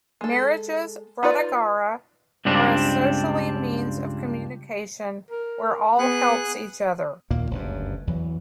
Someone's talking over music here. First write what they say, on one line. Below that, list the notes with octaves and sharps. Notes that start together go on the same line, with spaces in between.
Marriages, Brataghara are a socially means of communication where all helps each other.
G#3 A4
D#4 F4 B4 D5
C#2 G2 G3 C4 D4
A#4
B3 G#4 F#6
D#2 A#2 D#3 A#3
F#1 D2 G2
E2 E3 F#3